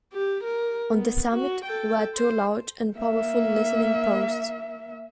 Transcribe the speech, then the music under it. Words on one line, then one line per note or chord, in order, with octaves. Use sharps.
On the summit were two large and powerful listening posts.
G4
A#4
B3
F#4
A4 G5
C5
A#3 E5